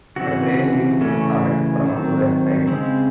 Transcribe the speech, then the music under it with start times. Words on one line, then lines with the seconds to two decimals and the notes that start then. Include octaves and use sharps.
A trail leads to the summit along the west side.
0.16 C#3 E3 C4 F#4
1.00 C#3 E3 A3 C#4
1.83 D#3 F#3 C4
2.68 C#3 G#3 C4